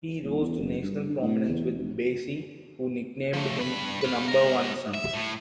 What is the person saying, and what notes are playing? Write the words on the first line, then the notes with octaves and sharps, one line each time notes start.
He rose to national prominence with Basie, who nicknamed him "The Number One Son".
D#1
E2
F#1
G2
D3
A2
E2
F1
F3 A3
G2 B5
B4 F5
G#2 A#4
E5
A2